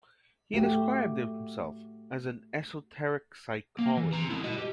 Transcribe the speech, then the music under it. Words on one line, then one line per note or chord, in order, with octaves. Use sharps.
He described himself as an "esoteric psychologist".
A3 F#4 G4
A#3
E3
C4 A#5
G#3 E4
F#4 D#5
G4